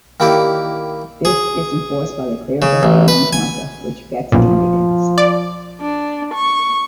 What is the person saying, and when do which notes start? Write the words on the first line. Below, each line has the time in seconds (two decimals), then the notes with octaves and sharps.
This is enforced by the clerical Guardian Council which vets candidates.
0.20 D#3 A#3 E4 G4 D5
1.25 G#4
2.62 C#3
2.83 A1
3.08 B4
3.33 G#5
4.32 B1 F#2 A#2 F3
5.18 D5
5.81 D4
6.35 C#6